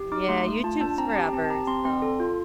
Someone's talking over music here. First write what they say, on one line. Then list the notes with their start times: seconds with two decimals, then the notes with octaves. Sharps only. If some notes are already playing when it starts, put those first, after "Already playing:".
Yeah, YouTube's forever, so
Already playing: G4
0.12 D#4 D6
0.28 A3 C6
0.46 A3
0.64 F4 A5
0.80 D4 A5
0.98 C4 A#5
1.10 A5
1.16 G4
1.21 G5
1.33 C4 A5
1.45 A5
1.50 G4 A#5
1.67 C4 C6
1.85 C4 C6
2.02 A4
2.20 F4